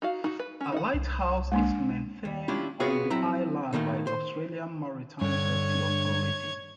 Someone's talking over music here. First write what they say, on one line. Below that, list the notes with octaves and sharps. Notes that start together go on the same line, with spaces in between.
A lighthouse is maintained on the island by the Australian Maritime Safety Authority.
D#4 F#4 F5
D#4 F#4
B4
C#4
D#4 E5 F#5
C2
G#3 A#3 D4
D#2
C#4 D4 E4 F4 G4 F5
B3 C4 F4 F#4 G#4 C#5
F#3 C4 E4 A#5
B2 D#3 A3 A#3
C5
G2 D3 C#5 G#6